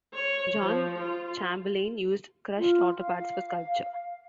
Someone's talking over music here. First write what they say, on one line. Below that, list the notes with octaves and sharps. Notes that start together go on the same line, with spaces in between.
John Chamberlain used crushed auto parts for sculpture.
C#5
F3
F4
F4
F5